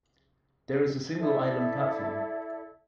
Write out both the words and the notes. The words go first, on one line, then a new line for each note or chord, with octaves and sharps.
There is a single island platform.
E4 A4 D5 E5